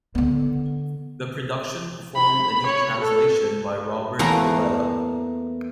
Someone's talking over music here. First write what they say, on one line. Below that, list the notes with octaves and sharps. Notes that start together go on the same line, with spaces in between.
The production performed a new translation by Robert Auletta.
D3 B3
B5
C#5
A4
E2 E3 A3 A#3 A#5